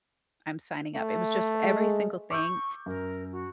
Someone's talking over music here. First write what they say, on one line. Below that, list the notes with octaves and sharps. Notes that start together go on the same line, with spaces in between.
I'm signing up." It was just every single thing
A3
G#3
C#6 D6 E6 G6
F#2 A#4
F#4